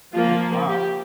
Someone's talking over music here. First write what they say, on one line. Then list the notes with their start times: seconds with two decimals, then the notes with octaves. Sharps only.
Oh, wow.
0.13 F3 A#3 F4
0.68 G4